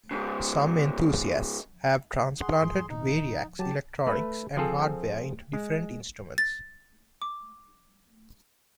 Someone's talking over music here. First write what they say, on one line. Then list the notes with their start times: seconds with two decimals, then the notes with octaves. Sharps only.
Some enthusiasts have transplanted Variax electronics and hardware into different instruments.
0.11 G#2 C#3
2.41 G#4 F#5 C6
2.61 F2 G#2 F3
2.89 D#2 A#2 D#3 D#4
3.59 F#3 G4 A5
4.06 A3 B4
4.57 F3 C4 F4 G#4 A4
5.53 G#3
6.38 A6
7.22 D6